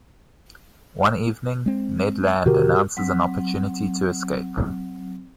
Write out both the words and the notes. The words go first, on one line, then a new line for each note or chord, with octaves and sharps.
One evening, Ned Land announces an opportunity to escape.
G#3 C4
B2 D3 F#4 G4 A#4
F#3 C4